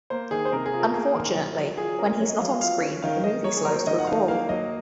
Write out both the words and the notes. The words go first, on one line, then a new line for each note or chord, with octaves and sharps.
Unfortunately, when he's not on screen, the movie slows to a crawl.
A#3 C5
D#3 G#4
C5
C3 A#4
G#4
F4
A#4
A#3 G#4
D#3 A#4
F#3
F#3
F4 G#4
C#4 A#4
F#3 C#5
D#5
F#3 F5
F5
F4 F5
C#4
D#3 F5
D#3 D#5
A#3 C#5
G#4
F#3 A#4
C5
C#5
D#3 D#5
F#5
D#3 F5
A#3 F5
F#3 D#5